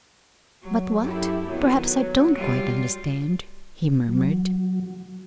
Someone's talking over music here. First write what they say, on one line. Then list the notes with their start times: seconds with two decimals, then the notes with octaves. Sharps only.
"But what--perhaps I don't quite understand," he murmured.
0.62 F#3
1.01 F#2 E4 G4 A4
1.48 D#3 F#3 B3
2.33 G3 F4
4.09 F#3